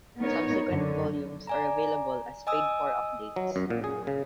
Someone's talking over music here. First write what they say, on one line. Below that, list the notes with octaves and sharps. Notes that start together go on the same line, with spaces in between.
Subsequent volumes are available as paid-for updates.
B3 D#4 A#4 C#5
F#2 D3
D5 G#5 A#5
D#5 G#5 D#6 E6
F#3
F#2
A#2
G#4
C#3